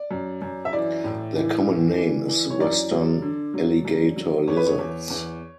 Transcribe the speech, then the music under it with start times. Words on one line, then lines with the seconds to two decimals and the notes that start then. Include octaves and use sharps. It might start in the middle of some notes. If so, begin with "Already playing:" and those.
Their common name is western alligator lizards.
Already playing: D5
0.11 F#2
0.42 F#2
0.65 E5
0.73 E3 D5
1.04 A2
1.35 E3
1.67 E3
1.98 E3
2.29 E3
2.50 C#5
2.60 F#2 D5
2.91 F#3
3.22 D3
3.54 F#3
3.85 F#2
4.16 F#3
4.48 E2 C#5
4.57 B4
4.66 C#5
4.79 E2
5.10 E2